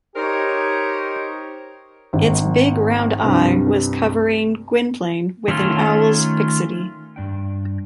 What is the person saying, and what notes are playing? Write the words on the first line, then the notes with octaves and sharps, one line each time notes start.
Its big round eye was covering Gwynplaine with an owl’s fixity.
D#4 G4 A#4 C5 C#5 D#5
G#1 D#3
C2 G2
D#3 A3 C#4 F4
G2 D4 G5